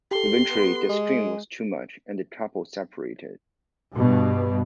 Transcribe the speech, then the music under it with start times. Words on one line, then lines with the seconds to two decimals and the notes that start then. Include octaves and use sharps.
Eventually, the strain was too much and the couple separated.
0.11 G4 A4 C6
0.50 B3
0.89 G#3
3.96 G2 B2